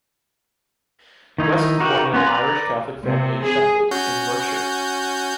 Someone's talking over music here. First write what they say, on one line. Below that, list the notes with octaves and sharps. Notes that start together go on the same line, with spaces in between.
West is born in an Irish Catholic family in Sheffield, in Yorkshire.
D#3 D#4 E4
D#4 F#4 G4 A#4 B4
B3 C#4 F4 A#4
B4 D5 A#5
C3
G#4
C#4 F#4 G6